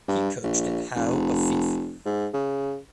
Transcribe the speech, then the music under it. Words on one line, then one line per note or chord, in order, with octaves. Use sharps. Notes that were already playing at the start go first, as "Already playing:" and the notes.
He coached at Howe of Fife.
G2
A#1
F1
G#2
C#3